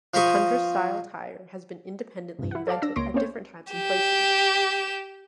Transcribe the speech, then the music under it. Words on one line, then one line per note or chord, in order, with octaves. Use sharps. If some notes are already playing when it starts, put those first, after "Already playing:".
The tundra-style tire has been independently invented at different times and places.
F3 C5 A#5 B5 C#6 D#6
C2 G2
E4 F#5
A4 C5 D5 F5 A5
D4 E6 A#6
C#2 A#3 C#5 C6 A#6 D7
A#3 C4 C#4 C5 C#5
G4 E7